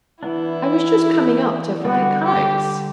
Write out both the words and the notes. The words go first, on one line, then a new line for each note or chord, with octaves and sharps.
"I was just coming up to fly kites."
E3 B3 D4 E4
D3 G3 D4 F#4
G4